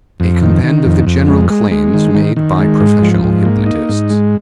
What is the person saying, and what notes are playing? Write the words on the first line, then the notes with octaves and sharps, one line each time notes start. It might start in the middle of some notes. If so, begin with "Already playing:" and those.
A Compend of the General Claims Made by Professional Hypnotists.
F2
D#3
D#3
F2
F2
G#3
G#3
G#3
D#3
D#3
D#3
G#3
G#2
F3
G#2
A#3
D#4
G#2
G#3